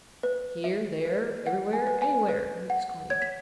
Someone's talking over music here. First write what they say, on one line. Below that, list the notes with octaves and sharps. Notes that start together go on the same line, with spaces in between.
"Here, there, everywhere, anywhere!" he exclaimed.
B4
E5
B4
F#5
G#5
B4
G#5
B4
F#5
C#5 G#6
B6